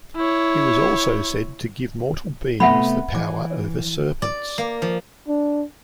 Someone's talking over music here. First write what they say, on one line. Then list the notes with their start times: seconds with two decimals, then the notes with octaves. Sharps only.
He was also said to give to mortal beings the power over serpents.
0.16 E4 C#5
2.60 C3 A3 B3 E5 F#5 B5
3.15 E3 D6
4.22 D5
4.58 A#3
4.82 F3
5.28 D4